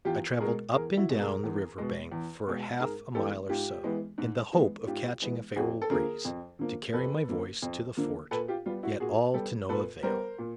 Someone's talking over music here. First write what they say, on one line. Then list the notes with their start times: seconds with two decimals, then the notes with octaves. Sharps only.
I traveled up and down the river bank for half a mile or so, in the hope of catching a favorable breeze to carry my voice to the fort, yet all to no avail.
0.05 E2 F4 G4
0.40 B2 G#3 G#4 A#4
0.74 E2 G#4 A#4
0.97 E4 F#4
1.09 B2 G#3
1.20 G#4 A#4
1.44 E2
1.78 B2 G#3
2.12 E2
2.46 B2 G#3
2.80 G#2 G#4 A#4
3.15 E3 G#3 B3 G4 A4
3.49 G#2 F4 G4
3.84 E3 G#3 B3
4.18 G#2
4.52 E3 G#3 B3
4.87 G#2 F4 G4
5.21 E3 G#3 B3
5.56 F2 F#4 G#4
5.82 A4
5.90 D3 F3 A#3 G#4 A#4
6.25 F2
6.59 D3 F3 A#3
6.93 F2 A4 B4
7.28 D3 F3 A#3
7.62 F2
7.97 D3 F3 A#3
8.31 A#2 A4 B4
8.48 F4 G4
8.66 G3 B3 F4
8.83 E4 F#4
9.00 A#2 F#4 G#4
9.34 G3 B3 G4 A4
9.69 A#2 A4 B4
10.03 G3 B3 A#4 C5
10.38 A#2